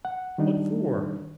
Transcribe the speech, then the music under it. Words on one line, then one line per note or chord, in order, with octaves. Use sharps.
What for?
F#5
D#3 G3 D4 D#4